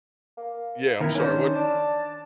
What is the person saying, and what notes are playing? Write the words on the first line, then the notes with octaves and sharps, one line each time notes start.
Yeah, I'm sorry, what?
A#3
D#3 B3 E4 A#4
D#3 C#4 D4 C5
D4 A5